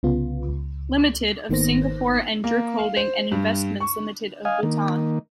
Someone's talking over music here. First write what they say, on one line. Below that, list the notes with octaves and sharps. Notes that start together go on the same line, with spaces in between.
Limited, of Singapore and Druk Holding and Investments Limited of Bhutan.
C2 C#3 B3 F4
C#2
G#1 D#3 A#3 B3 C5 A#6
A#3
F5
C5
G2
C#6
D#5 F5 G#5
D#3 A#3